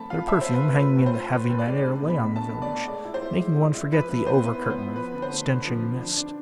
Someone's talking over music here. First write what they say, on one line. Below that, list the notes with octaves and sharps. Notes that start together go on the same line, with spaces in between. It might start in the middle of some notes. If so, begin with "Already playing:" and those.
Their perfume, hanging in the heavy night air, lay on the village, making one forget the over-curtain of stenching mist.
Already playing: F3 A3 C4 A5 B5
F4 F5
A3 E5
C4 C5
B4
A3
F4 B4
A2
C5
F4
A2 B4
A2
D5
G#3
D4
B2
B5
B2
D4 A5
B2
D5
A3
G#3 D5
E4
C5
E4
G#3
E4
E4
F3 B4
F3 B4
B3 C5
E4 B4
B3
C5
B3
F3 B4
D3
C5
A3
D4
F3
F3
D4
D4